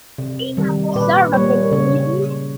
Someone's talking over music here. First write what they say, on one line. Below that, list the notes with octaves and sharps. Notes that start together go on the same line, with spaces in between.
Sara can you read me?
C3
D#3 G3
A#2 B4
G3 A#3 C#5
C#3 C#5